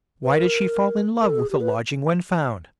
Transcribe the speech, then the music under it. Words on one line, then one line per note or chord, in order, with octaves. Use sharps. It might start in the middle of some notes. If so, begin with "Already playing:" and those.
Why did she fall in love with the lodging when found?
B4
A#4
A#4
A4
G#4
G4
B4